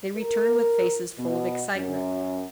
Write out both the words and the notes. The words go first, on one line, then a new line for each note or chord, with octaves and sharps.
They returned with faces full of excitement.
A#4
B2
F#2